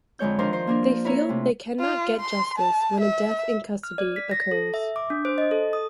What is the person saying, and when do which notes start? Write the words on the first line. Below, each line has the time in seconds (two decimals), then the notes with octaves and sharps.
They feel they cannot get justice when a death in custody occurs.
0.19 F2 D3 G#3 C#5 G6
0.39 D#3 F3 D4 A#4 C5
0.53 C5
0.67 A#3 D4 A#4
1.05 E4 A#4 C#5 A#5
1.29 C3 A3
1.80 F4
2.20 C6
2.59 A5
3.00 E5
3.83 F6
3.98 D5
4.16 B6
4.31 A#6
4.51 A4
4.74 E5
4.96 D6
5.10 D4
5.25 C5
5.38 D#5
5.51 A4
5.73 D#6